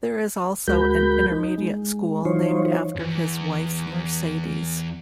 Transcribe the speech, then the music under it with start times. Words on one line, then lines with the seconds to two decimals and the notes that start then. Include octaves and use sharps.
There is also an intermediate school named after his wife Mercedes.
0.67 D2 G#3 F#4 A#4 B5 G6
1.31 D#4
1.58 G#3
2.25 E3 F#3 D#4 F4 C5 C#5
2.96 E2 G2